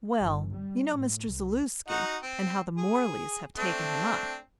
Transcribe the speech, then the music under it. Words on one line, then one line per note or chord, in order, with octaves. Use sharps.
"Well, you know Mr. Zaluski, and how the Morleys have taken him up?"
G1
G3
A2
C2
D#4 F#4 F#5
C4
G#4
A3 C4 D4